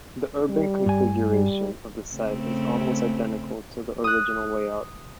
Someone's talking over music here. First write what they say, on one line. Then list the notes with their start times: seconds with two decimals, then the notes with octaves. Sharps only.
The urban configuration of the site is almost identical to the original layout.
0.50 G3
0.86 G2 G#5
1.32 G3
2.14 C#3 A3 C4
4.04 D#6 F#6